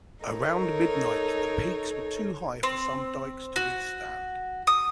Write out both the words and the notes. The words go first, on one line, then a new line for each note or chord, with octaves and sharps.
Around midnight, the peaks were too high for some dykes to withstand.
D#4 A4 A#4 C#5
C4
F#4
D#6